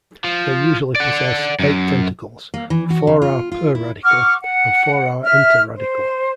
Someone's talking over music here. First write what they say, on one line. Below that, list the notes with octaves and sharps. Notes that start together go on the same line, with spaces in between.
They usually possess eight tentacles; four are per-radical and four are inter-radical.
F3
D5 F#5
F#2
A#3
E3
F#4
C#3
F4
F4
E4
F#5 C#6 D6 F6
F#5
E5 F6
C5